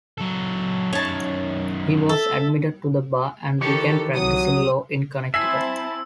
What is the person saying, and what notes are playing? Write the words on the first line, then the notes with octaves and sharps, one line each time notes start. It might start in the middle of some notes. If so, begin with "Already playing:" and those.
He was admitted to the bar and began practicing law in Connecticut.
F#3 A4
F#2 D#3 C#5 A5
A4 E5
D#3 E3 G4 A4 A#4 C#5
C2 C3 F#3 D#6
C4 E4 E5 G#5 A5 E6 B6 C7